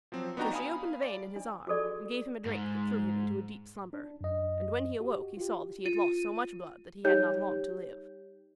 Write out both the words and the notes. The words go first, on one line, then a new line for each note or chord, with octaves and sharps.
So she opened a vein in his arm and gave him a drink that threw him into a deep slumber--and when he awoke he saw that he had lost so much blood that he had not long to live.
F3 F#3 C4
B3 D4 D#4 F#4 G5 A#5
F5 G#5 B5 D#6
D5
D4
F#4 G#4 A4 D5
G#2
D4
F#2 D#5
F#4 G4
F4 G4
F4 D#7
G3 D#4 G4 C#5 G6